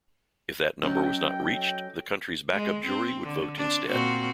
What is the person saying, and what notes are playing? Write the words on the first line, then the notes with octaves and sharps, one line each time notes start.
If that number was not reached, the country's backup jury would vote instead.
F#3 C#4 A4 D#5 G5
G#3
C4
D3
C4 D4
A#2 C4 F#4